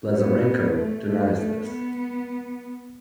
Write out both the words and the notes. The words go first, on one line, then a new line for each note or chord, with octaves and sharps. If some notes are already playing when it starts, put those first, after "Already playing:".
Lazarenko denies this.
B3
A3
A3
A3
B3